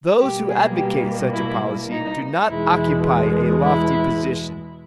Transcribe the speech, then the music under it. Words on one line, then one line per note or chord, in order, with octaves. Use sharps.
Those who advocate such a policy do not occupy a lofty position.
B2 G3 A#3 G4
G#4
G4
E4
D#4
E2 B2 G#3 E4
E4